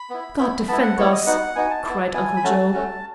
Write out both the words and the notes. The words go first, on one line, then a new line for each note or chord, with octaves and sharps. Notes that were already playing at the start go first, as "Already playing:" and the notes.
"God defend us!" cried Uncle Joe.
Already playing: B5
B3 E4
B3 E4
B3 E4 A5
F#5
B3 E4 C#5
D#5
B3 D#4 F#4 F#5
B3 D#4 F#4 G#5
A5
B3 E4
B3 E4 G#5
B5
F#3 A3 C#4 F#4 A5
F#3 A3 C#4 F#4